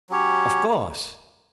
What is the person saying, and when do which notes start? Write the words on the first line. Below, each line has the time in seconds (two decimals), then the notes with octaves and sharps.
"Of course."
0.09 F#3 C#4 G4 C#5